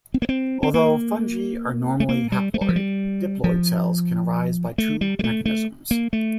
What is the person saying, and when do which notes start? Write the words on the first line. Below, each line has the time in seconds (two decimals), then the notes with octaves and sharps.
Although fungi are normally haploid, diploid cells can arise by two mechanisms.
0.14 C4
0.22 A#3
0.29 C4
0.63 C4
0.74 A#3
2.00 A3
2.09 A#3
2.32 G3
2.54 A3
2.61 G3
2.69 F3
2.76 G3
3.44 F3
4.78 A3
5.01 G3
5.19 G3
5.24 A3
5.45 A3
5.91 A#3
6.13 A3